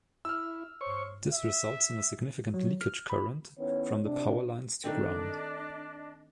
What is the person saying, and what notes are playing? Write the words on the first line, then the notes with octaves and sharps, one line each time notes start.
This results in a significant leakage current from the power lines to ground.
E4 E6 F6
C5 C#5 C#6
E5
F#3
F6
B5
D#3 B3 C#4 E4 C#5
C3 D4
D#3 A3 C4 D4 D#5